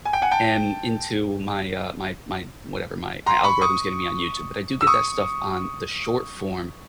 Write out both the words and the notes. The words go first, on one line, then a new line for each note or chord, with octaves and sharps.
em, into my, uh, my my, whatever my, my algorithm's giving me on YouTube. But I do get that stuff on the short-form,
G#5
G5
F#5 G#5
G5 A5
A#5 C6
B5 C#6
C#6 D#6
E6
C#6 D#6